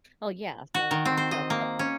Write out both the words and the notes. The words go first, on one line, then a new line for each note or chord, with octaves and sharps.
Oh, yeah. So, I would think so, but
F#4
D#3
C4
C5
D#5
A#3
C#4